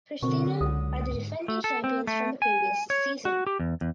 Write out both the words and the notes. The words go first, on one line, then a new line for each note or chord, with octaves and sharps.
Prishtina are the defending champions from the previous season.
B2 D3 F#3 C4 A#4 C#6
C#2 D#6
G#2
A3
A4
C4
A3
G#5
C#5
F#4
G4
E2
E2